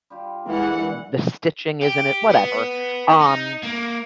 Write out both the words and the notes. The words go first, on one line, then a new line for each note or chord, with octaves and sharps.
the stitching isn't it whatever, um,
G3 F4 G4
G2 E3 G#3 A#4 F#5
G4
B3
D#4
A#3